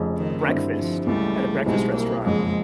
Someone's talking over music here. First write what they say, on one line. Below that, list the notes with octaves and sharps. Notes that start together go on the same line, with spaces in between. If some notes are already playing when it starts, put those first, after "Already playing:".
breakfast at a breakfast restaurant,
Already playing: F1 F2 C#3
D#3
G2 D3 G3 C4 E4
F3
C#2 C#3 E3 G3 A3
B1 B2 G3 G#3 C4 E4
A#3
F#1 F2 C#3 G#3